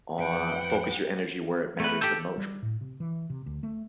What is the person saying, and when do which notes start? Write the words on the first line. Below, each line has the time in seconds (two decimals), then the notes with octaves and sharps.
on focus your energy where it matters the moch
0.19 F2 B4 F#5 G5
1.80 A3 B4
2.01 G4 A4 G6
2.38 G3
2.62 A2
2.81 C3
3.00 E3
3.30 C3
3.46 D2
3.63 A3